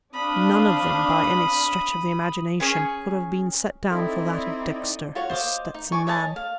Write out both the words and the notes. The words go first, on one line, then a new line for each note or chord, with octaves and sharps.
None of them, by any stretch of the imagination, could have been set down for that of Dexter, The Stetson Man.
C4 D4 F5 B5 D#6
C#4 G#4 C#5
C4 D#4 E4 A4 D5 D#5 G5
F4 F#4 C#5
C5 D#5 F5 D6
D#4
D5 G#5 C#6
C#5 D#5 G#5 A5
F5